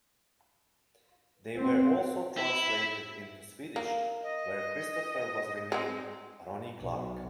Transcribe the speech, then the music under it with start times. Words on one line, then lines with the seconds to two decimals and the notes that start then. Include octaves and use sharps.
They were also translated into Swedish - where Christopher was renamed "Ronnie Clark".
1.58 C4
2.38 E4
3.76 A#3
4.23 D#5
5.72 G#3 C4
6.79 B1